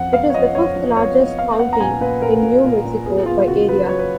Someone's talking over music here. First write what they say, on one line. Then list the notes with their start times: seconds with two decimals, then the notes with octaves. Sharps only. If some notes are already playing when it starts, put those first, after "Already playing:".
It is the fifth-largest county in New Mexico by area.
Already playing: F2 F3 F#5
0.13 B3 F5
0.30 C#5
0.34 F3 D#5
0.55 F3 C#5
0.76 F3
0.97 B3 C#5
1.18 B3
1.38 B3 F5
1.59 B3 F#5
1.73 A#5
1.81 A#2 G#5
2.01 A#2 B4
2.22 A#2 A#4
2.43 A#2
2.64 A#2
2.85 A#2
3.06 B3 G#4
3.26 B3 F4
3.48 C#3 F#4
3.68 F#3 B4
3.89 F#3 C#5
3.99 B4